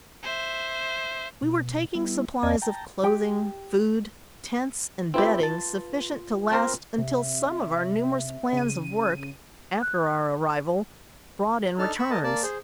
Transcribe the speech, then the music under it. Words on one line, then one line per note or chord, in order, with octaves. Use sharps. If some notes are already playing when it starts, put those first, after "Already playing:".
We were taking supplies of clothing, food, tents and bedding sufficient to last until some of our numerous plans of work after our arrival brought in returns.
C5 E5
B2
G3 B3 E4
E2 C4 D5 D#5 A5 G#6
G5 A5 A#5
G4 G5
C4 E4 F4 G4 B4
A5
C4 A#4 C5
C3 E5
C#3 D#7
F#6
D4 D#4 A4 A5 F6
B5 C#6 E6
A#4 D#5 A5
A#3 D5 A5
G#4 C5